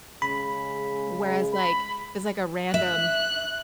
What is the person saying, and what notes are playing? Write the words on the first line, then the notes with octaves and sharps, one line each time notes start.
Whereas like, it's like a random
C#3 G#3 B5
B5
E5 F#6